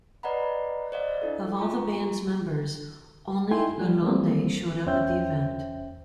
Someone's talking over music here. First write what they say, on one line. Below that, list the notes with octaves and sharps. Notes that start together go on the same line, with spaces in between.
Of all the band's members, only LaLonde showed up at the event.
B4 D5 D#5 F#5 A#5 B5
C5 D5 D#5 F5
D4 E4 A4
F4 A#5 C#6
A3 D#4 E4 G5 G#5 C6
E3 F3 G3
E3 G3 A3 A#3 C4
E2 C#4 C5 E5 G5 G6